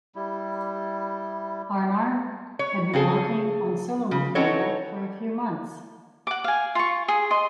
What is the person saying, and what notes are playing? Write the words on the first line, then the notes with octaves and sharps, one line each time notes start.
Arnaert had been working on solo material for a few months.
G3 E4
C#5
C#3 C4 G#4 A4
C#3
C4 C#4 D#4 F#4 A4 C#5
F#5 D6
F5 G#5
F4 C#6
G#4
D#5 C6